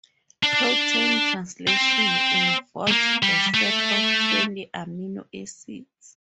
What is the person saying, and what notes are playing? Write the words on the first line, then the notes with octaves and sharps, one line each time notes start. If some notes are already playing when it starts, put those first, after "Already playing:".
Protein translation involves a set of twenty amino acids.
D4
C4
A3
A#3
G3
A3